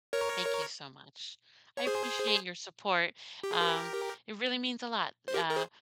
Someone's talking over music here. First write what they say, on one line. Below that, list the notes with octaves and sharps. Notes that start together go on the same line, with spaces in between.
Thank you so much. I appreciate your support. Um, it really means a lot, uh,
A#4 C#5
C#5
G#4 C5
G4
G#4
G4 A#4
C5
G4 A#4
A#4
G#4 C5